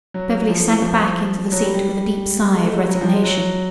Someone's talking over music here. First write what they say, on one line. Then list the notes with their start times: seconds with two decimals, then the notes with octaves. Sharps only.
Beverly sank back into the seat with a deep sigh of resignation.
0.14 F#3
0.49 F3
0.65 E3
0.82 F3
1.52 F#3
1.62 G3
1.74 G3
2.55 G#3
2.64 A3
2.72 G#3
2.81 G3
2.89 F#3
3.01 F3
3.13 G#3
3.24 F#3